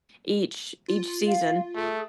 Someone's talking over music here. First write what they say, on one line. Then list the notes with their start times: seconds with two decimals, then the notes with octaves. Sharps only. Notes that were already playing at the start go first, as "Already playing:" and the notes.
each each season,
0.88 F4
1.27 F5
1.75 A3 G#4